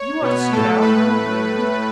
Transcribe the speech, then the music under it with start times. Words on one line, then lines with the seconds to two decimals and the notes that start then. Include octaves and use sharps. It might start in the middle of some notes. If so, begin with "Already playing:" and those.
You ought to see it out, and I won't leave you.
Already playing: C#5
0.22 B2 B3
0.52 A2 A3 A4
0.81 A2 A3 B4